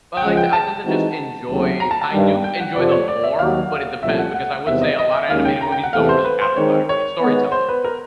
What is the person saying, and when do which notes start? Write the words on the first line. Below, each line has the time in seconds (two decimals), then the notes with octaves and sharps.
Well, I te I tend to just enjoy I do enjoy them more, but it depends, because I would say a lotta animated movies don't really have a lotta great storytelling;
0.17 G5
0.21 C#2 C#3 F3 G#3 F#5
0.37 G5
0.53 A5
0.84 E3 G#3 C4 D#4 F#4
1.49 D#2 C#3 F#3 A3 C4
1.80 A#5
1.91 A5
2.02 A5
2.12 G2 D#3 G3
2.44 G5
2.60 F#5
2.75 F2 C3 F3 D5
2.91 C#5
3.08 D5
3.23 E5
3.39 D#2 D#3 F#3 F5
4.03 C2 A#2 F3 A3 C#4 E5
4.18 F#5
4.34 F#5
4.67 E2 C3 D#3 G3 B3 E5
4.82 D#5
4.99 D#5
5.14 E5
5.30 D#2 D#3 G#3 C#4 F5
5.45 G5
5.61 A#5
5.72 G5
5.83 F#5
5.93 E2 C3 E3 A3 F5
6.09 C5
6.25 B4
6.41 C5
6.56 D#3 G#3 C4 C#5
6.89 C#5
7.20 D#3 G#3 B3
7.52 C5
7.69 B4
7.84 A#4